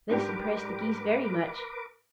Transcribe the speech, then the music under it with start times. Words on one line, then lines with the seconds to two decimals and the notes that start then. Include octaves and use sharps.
This impressed the Geese very much.
0.09 G#2 D4 G4 A#4 B4 D6